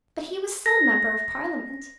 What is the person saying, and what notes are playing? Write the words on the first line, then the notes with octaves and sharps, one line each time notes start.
But he was still a Member of Parliament.
A#6